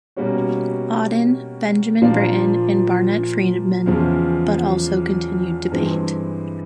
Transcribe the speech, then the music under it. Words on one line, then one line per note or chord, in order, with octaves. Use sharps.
Auden, Benjamin Britten and Barnett Freedman but also continued to paint.
B2 G3 A#3 C#4 F#4
A#2 F3 A#3 D4 F4
E2 C#3 F3 G#3
G2 E3 G#3 C4